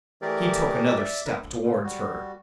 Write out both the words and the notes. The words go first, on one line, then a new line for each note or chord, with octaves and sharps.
He took another step towards her.
E3 A3 G4 G#4 A#4 D5
D5 E5
A#4 B4
D2
A#2 C#3
G3 F#4